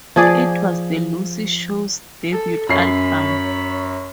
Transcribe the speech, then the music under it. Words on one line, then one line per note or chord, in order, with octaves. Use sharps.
It was The Lucy Show's debut album.
F3 G#4 D5
A4
F#2 C#5 B5 C7